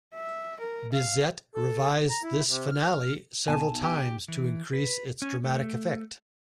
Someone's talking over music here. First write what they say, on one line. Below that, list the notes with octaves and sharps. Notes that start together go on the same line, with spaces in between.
Bizet revised this finale several times to increase its dramatic effect.
E5
A#4
F5
A4
A#5
E4
C3
F6
B1 G#5 A5
G4
E3
B4
C#4
A3